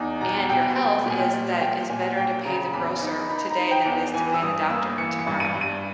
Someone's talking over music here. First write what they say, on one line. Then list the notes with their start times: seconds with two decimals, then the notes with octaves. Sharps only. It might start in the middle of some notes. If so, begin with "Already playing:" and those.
and your health is that, "It's better to pay the grocer today than it is to pay the doctor tomorrow."
Already playing: E2 D#4
0.21 B2 A#5
0.49 B2 G5
0.77 G3 G5
1.06 A#2 G#5
1.19 G5
1.33 G3
1.61 A#2 G5
1.90 A#2 G#5
2.17 A#1 G5
2.45 C#3 A#5
2.73 E2 B5
3.01 D#4 B5
3.29 D#4 B5
3.50 A#5
3.58 D#4
3.71 G5
3.85 E2
3.92 G5
4.14 E3 G#5
4.34 E6
4.42 G2 D#6
4.70 A#3 E6
4.98 E3 C#7
5.19 C#7
5.27 G2
5.40 D#7
5.54 G2
5.61 D#7